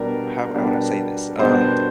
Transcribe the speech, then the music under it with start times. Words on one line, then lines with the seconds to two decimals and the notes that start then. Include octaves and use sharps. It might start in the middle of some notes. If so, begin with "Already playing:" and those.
how how would I say this, um
Already playing: B2 G3 B3 D4 A#4
0.54 B2 G3 B3 D4
1.39 B2 G3 B3 D4 C5
1.61 C5